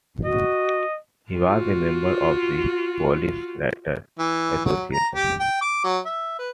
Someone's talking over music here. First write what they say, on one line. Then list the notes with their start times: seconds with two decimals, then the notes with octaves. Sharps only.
He was a member of the Polish Writers' Association.
0.25 F#4 D#5
1.32 F4 F#4
4.19 E3
4.65 F#3
4.93 A#5
5.15 G4
5.39 G5
5.61 D6
5.84 F#3
6.05 E5
6.38 B4